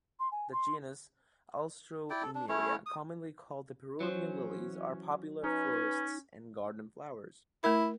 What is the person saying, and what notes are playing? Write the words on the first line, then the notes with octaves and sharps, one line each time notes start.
The genus "Alstroemeria", commonly called the Peruvian lilies, are popular florist's and garden flowers.
C6
G#5
C6
E4 D5 G5
A4
D4
A3 C#4 E4 C#5
D#6
E3 F#3 C#4 C5
C#4 D#4 B4 G#5
A3 E4 A#4